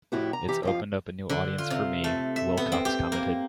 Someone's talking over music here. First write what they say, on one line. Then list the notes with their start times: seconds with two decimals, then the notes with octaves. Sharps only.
It's opened up a new audience for me, Willcox commented.
0.12 F2 A2 E4 F#4 G4
0.33 A#5
0.48 E3 G4 A#5
0.63 F2 F3 F5
1.29 D3
1.58 F4
1.70 C3
2.04 A3
2.36 E5
2.57 B3
2.72 C4
2.85 G4
3.12 A#3